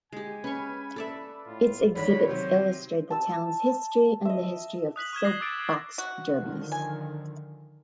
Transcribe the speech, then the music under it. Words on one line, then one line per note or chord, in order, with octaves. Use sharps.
Its exhibits illustrate the town's history and the history of soap box derbys.
G#3 G4 G#5
C#4 B4 C#6
A4 D5 E5
A2 F4
G#1 D#3 D4 C#5 B5
C3 D#3 F#3 C5
A5 E6
D#5 E5
D#6 F#6 B6 F#7
C#6 F6 G#6 E7
F6 F#6 A#6 C7
D6 E6 A6 D7
F#4
D3 D#3 F3
G#5